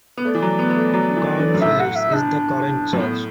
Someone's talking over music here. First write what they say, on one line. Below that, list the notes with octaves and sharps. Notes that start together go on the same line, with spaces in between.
Carl Phillips is the current judge.
B3
A3 D5
E3
F#3
B3
B3
A3
F#3
D3
E3
D3
F#2
A2 E5
F#5
E5
D4
F#2
A2 B3